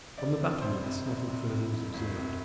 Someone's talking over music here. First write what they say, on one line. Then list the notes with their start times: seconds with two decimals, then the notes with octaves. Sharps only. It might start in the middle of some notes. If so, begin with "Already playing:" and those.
From the battlements nothing further was observed.
0.18 E1 D5
0.40 C3
0.62 E1 C5
0.84 C3
1.06 C3
1.28 C3
1.50 C3
1.72 E1
1.94 E1
2.16 C3